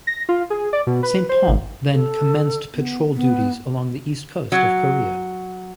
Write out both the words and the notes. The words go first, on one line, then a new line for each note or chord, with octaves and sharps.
"Saint Paul" then commenced patrol duties along the east coast of Korea.
A#6
F4
G#4
D5
B2
B4
C5
G#1
A4
B3
B3
F#3